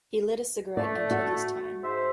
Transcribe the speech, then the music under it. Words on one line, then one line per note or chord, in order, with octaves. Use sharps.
He lit a cigarette and took his time.
A3 D5
F#4
G#2 C5 E5